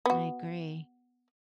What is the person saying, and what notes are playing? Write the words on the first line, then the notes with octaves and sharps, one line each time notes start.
I agree.
B3 F#4